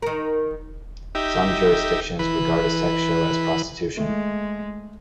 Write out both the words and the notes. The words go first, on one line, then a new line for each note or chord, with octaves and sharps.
Some jurisdictions regard a sex show as prostitution.
D#3 A#4
D#4 G4 E5
E3 B4
G#3 A3